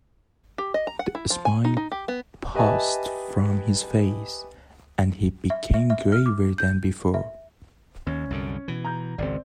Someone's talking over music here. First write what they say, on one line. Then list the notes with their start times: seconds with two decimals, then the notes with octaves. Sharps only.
The smile passed from his face, and he became graver than before.
0.58 G4
0.74 D#5
0.87 A#5
0.99 F#5
1.15 E4
1.30 F3
1.45 G#5
1.65 D#4
1.77 D#4
1.92 G4
2.08 B3
2.55 G4 B4 D#5 E5 G#5 A5
5.50 E5
5.74 E5
5.90 E5
6.12 F6
6.26 D6
6.58 G6
7.14 E5
8.06 D#2 C#4
8.30 C2 F#2 D3
8.68 B2 E3
8.85 A#5 G6
9.18 G#1 C#2 C4 D5